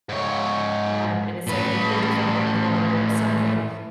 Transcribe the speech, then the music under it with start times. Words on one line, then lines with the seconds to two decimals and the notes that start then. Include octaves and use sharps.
um, and it's like maybe a different airport or something,
0.09 G#2 C#5
1.47 A2 B4